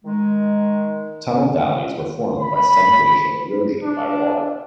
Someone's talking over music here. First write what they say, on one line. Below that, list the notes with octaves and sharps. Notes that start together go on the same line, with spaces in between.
Tunnel valleys were formed by subglacial erosion by water.
D#3 G#3
B5
D4